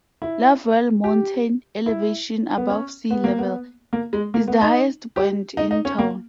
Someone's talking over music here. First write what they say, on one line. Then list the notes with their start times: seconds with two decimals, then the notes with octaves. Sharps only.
Lovewell Mountain, elevation above sea level, is the highest point in town.
0.22 E4
1.04 G4
1.86 E4
2.57 B3
2.69 C#4
3.11 B3
3.24 A#3
3.39 B3
3.93 A#3
4.13 G#3
4.34 A#3
4.48 B3
4.61 D#4
5.16 G4
5.57 D#4
5.71 D#4
5.85 C#4
5.99 A#3